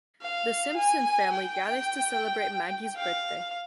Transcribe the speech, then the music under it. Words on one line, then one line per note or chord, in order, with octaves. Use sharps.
The Simpson family gathers to celebrate Maggie's birthday.
F5
G#5
G5
F5